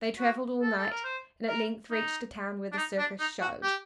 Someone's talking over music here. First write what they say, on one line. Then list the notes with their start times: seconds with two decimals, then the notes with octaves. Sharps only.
They traveled all night, and at length reached the town where the circus showed.
0.19 F#4
0.62 A4
0.77 A4
0.91 A#4
1.04 C5
1.48 A#4
1.91 D#4
2.72 D4
2.77 D#4
2.98 D4
3.20 D#4
3.41 F#4
3.63 G4